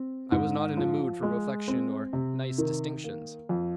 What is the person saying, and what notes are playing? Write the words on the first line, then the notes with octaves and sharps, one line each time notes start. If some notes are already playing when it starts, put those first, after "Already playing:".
I was not in a mood for reflection or nice distinctions.
Already playing: C4
G#2
F3
G#3
C4
C3
D#3
A#3
F2